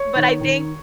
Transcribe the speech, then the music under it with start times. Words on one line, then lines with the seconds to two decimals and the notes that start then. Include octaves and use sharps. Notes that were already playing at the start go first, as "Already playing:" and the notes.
But, I think
Already playing: C#5
0.15 D#3
0.41 D#3